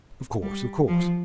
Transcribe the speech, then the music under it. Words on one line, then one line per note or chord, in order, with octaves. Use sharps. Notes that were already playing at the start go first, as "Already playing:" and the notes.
'Of course, of course.
G3
F3